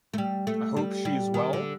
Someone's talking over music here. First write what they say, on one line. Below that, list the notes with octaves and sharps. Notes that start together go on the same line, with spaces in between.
I hope she is well?
A3
G3
A3
G3
G3
D#3
D3